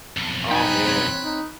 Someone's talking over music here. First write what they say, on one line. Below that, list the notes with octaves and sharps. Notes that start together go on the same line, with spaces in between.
Oh, man.
B1 F2
D#4 G5 G#5 B5 F#6
C4 C#5
D#4